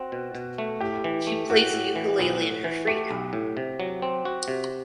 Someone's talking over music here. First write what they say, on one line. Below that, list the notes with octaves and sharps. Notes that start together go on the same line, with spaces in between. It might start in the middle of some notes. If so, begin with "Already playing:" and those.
She plays the ukulele in her free time.
Already playing: C4 F#4
B2
B2
A3
A2 G4
E3
A3
A2 F#4
A2
E3
B1
A2
E3
A3 G4
B1
A2
C3
F#3
C4
F#4
C3